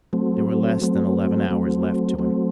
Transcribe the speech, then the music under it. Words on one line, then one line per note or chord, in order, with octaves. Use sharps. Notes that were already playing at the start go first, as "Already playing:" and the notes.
There were less than eleven hours left to him.
F#3 A3 C4
F#3 A3 C4
F#3 A3 C4
F#3 A3 C4